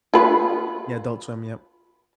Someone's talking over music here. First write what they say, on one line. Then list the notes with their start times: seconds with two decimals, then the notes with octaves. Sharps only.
Yeah, Adult Swim, yep.
0.14 F4 B4